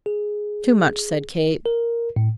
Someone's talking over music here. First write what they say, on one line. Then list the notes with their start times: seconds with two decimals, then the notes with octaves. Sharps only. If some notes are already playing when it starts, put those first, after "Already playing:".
"Too much!" said Kate.
0.06 G#4
1.66 A#4
2.16 A2